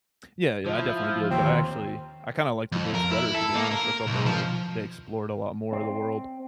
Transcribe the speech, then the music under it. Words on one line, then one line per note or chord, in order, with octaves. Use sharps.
Yeah, yeah, I definitely did, but actually I kinda like the books better, to be honest, I thought they were they explored a lot more of the world.
F3
E4
D#2 C4
F2
A#4
E4
A4
A#3
A#4
B1
F3
C4